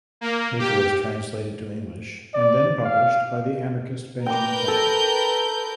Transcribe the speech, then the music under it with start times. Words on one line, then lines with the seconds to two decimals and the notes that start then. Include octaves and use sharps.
It was translated to English and then published by the anarchist Benjamin Tucker.
0.21 A#3
0.59 G4
2.34 D5
2.84 F5
4.26 A#4 B4 G5 D6 G6
4.68 A4